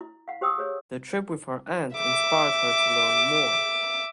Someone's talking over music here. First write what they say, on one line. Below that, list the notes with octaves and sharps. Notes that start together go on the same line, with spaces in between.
The trip with her Aunt inspired her to learn more.
E4
F5 F#5
G4 C5 G5 D#6 E6
G#4 C5 C#5
E5 D6